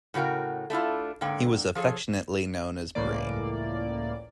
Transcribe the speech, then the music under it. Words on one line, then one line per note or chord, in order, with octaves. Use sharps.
He was affectionately known as "Brain".
A2 C#3 F#4 A#4 G5
A3 D4 E4 F4
G#2 D3 A#3 G5
F3 G#4 A4 C#5
C#2 A2 E3 A#3 D5